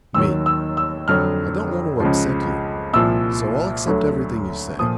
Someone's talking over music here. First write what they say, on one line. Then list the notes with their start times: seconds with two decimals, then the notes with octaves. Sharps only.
ME: I don't want to upset you, so I'll accept everything you say.
0.14 D#2 D#3 F#3 E6
0.46 E6
0.77 E6
1.08 F2 D3 F#3 F6
2.00 C#2 C#3 F3
2.93 C2 A#2 F3 E6
3.86 D2 D3 F#3
4.79 A#2 F3 D#6